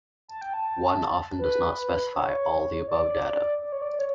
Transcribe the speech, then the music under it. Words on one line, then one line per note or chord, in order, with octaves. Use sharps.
One often does not specify all the above data.
A5
G5
A5
B4
C#5
D5
D5
C#5
D5
C#5